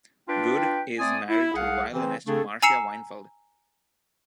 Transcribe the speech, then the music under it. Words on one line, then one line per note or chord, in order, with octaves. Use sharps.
Goode is married to violinist Marcia Weinfeld.
D4 F4 B4 G5
A3 C4 D5 G#5 D#6
E4
C2 G#4 F5 F#5
C#3 E3 C4
C#3 A3 C4 D4 G#4 A4
G#5 A#5 E6 C7 C#7 E7